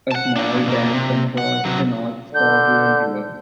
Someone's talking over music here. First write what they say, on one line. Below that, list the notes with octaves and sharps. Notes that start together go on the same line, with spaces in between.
A small dam controls the North Saugeen River.
F#5 A5
A#3 D4
B2 A#3
C3
F#5
C3 F#3
D3 G6